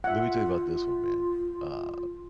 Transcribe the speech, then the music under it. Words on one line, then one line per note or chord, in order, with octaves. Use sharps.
Let me tell you about this one, man, uh,
F4 E5 F#5